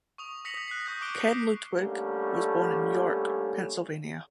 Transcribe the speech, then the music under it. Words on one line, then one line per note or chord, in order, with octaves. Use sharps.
Ken Ludwig was born in York, Pennsylvania.
C#6 D#6 F7
D#6 A#6 B6 C#7 F7 F#7
F#6 B6 C7
C#6 D#6 G6 A#6
C#6 D6 F#6 D7 G7
C7
D3 G3 A3 A#3 C#4